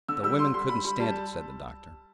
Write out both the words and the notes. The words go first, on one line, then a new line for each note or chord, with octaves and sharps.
"The women couldn't stand it," said the Doctor.
D3 E6
G3 E6
D3 C6
G3 C6
G3 B5
G3 B5
G3 A5